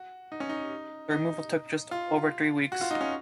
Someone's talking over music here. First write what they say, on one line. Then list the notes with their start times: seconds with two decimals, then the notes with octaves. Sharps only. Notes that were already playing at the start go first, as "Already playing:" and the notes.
The removal took just over three weeks.
Already playing: F#4
0.32 D#4
0.40 C#4
0.49 D#4
1.11 D#4
1.91 F4
2.72 F#4
2.81 F4
2.91 D#4
3.01 C#4